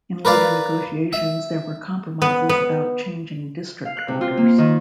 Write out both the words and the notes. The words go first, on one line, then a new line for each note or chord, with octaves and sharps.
In later negotiations there were compromises about changing district borders.
A#4 B4 D5 F5
E5
B3
B3
F5
F#6
C3
F4
A#3
D#3